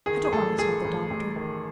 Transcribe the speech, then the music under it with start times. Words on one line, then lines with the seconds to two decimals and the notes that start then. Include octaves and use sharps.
I don't want to tell the Doctor.
0.06 D#3 G#4
0.24 G#4
0.32 A1 A4
0.58 D#3 G#4
0.84 A1
1.10 A1
1.36 D#3